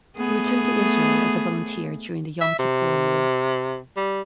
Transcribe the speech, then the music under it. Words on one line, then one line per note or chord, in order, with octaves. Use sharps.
He returned to Israel as a volunteer during the Yom Kippur War.
A3 B3 G#4
E5
C3
G3